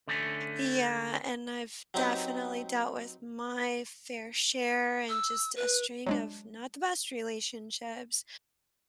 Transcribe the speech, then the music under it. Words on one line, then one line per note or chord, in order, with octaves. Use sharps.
Yeah, and I've definitely dealt with my fair share and just a string of not the best relationships,
D3 A3 C#4
F#3 C4 D#4 G4 B4
E6
B4
F#3 G#3 D4